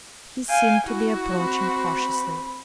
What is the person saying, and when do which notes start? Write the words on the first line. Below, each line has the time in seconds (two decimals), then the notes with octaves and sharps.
He seemed to be approaching cautiously.
0.49 F5 G5 G#5
0.86 E4 F#4
1.39 C4 B5